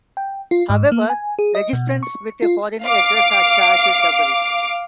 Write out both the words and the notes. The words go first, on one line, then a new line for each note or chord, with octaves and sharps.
However, registrants with a foreign address are charged double.
G5
F4
G#2
A#3
G#5
G#4
D#5
B2
C#6
F4
F5 D6